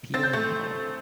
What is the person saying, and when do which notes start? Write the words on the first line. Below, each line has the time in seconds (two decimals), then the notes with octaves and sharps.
Peter and Paul.
0.14 C4 A6
0.23 G6
0.33 A3 A6